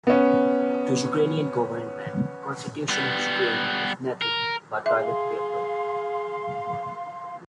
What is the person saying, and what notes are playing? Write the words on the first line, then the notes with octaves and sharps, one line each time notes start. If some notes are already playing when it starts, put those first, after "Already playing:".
To Ukrainian government, Constitution of Ukraine is nothing but toilet paper.
B3 C#4
G3 B3
A#4
G#4 E5 F5 C6